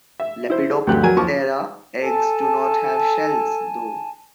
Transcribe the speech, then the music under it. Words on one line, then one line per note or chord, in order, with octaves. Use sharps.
Lepidoptera eggs do not have shells, though.
E5
E4 C5
G#4
D2 G2 F#3 A3 G4 F#6
F#3 A#4 G#5
D#2 F3 C#6 D6
A4 G#5 A5